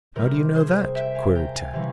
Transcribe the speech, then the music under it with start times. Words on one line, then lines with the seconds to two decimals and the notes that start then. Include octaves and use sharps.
"How do you know that?" queried Tad.
0.15 C3 G3 C4 A#4
0.55 G#4 C5
0.95 E5 G5
1.15 F5 G#5
1.35 G5 A#5
1.55 F5 G#5
1.73 C3 E3 G3 C#4 F5